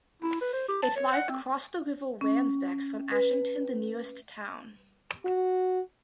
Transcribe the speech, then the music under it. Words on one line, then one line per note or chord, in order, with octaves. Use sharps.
It lies across the River Wansbeck from Ashington, the nearest town.
E4
B4
C5
G4
A5
C#5
F#5
C4
C#4
B4
F#4